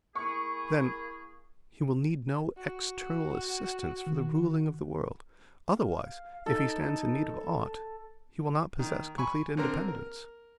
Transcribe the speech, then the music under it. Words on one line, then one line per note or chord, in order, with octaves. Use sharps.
'Then, He will need no external assistance for the ruling of the world. Otherwise, if He stands in need of aught, He will not possess complete independence.'
A#3 E4 G#4 C#6
F#4
D#3
F5
D#4 A4
D#3
G#5 B5 C#6
D3 C4 A#4
A#4